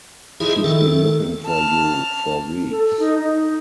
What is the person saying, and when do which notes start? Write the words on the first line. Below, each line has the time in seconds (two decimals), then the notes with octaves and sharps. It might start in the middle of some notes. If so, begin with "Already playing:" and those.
She's been looking for you for weeks.
0.40 F3 D#4 E4 G#4
0.64 D#3 A4
1.46 A5 F6
2.71 A4
2.84 A4
2.99 D#4
3.19 D#4